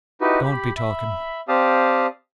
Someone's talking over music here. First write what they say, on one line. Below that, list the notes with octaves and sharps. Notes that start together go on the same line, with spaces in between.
Don't be talking!
D#4 E4 F#4 G4 B4 D#5
G4 B5
E5 B5
C4 G4 D5 F5 A5 D#6